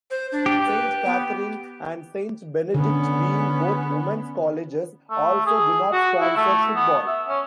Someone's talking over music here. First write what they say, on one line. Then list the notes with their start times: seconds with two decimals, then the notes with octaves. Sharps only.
Saint Catherine and Saint Benedict, being both women's colleges, also do not sponsor football.
0.10 C5
0.32 D4
0.46 G4
0.67 B4
1.06 B3
2.74 D3 B3 C#4
5.10 A3
5.46 G#4
5.92 F#4
6.20 E4
6.37 A3
6.75 B3
7.07 E5
7.28 C#4